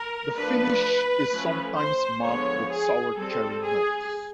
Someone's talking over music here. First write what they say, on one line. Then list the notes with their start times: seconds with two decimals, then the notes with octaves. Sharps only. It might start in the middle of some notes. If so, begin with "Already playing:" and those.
The finish is sometimes marked with sour-cherry notes.
Already playing: A#4
0.36 F3 A3 D4 B4
1.30 F3 A3 C#4
1.76 C5
2.23 D3 F3 G#3 B3 C#5
2.70 G#4
3.17 G3 C4 A4
3.64 G#4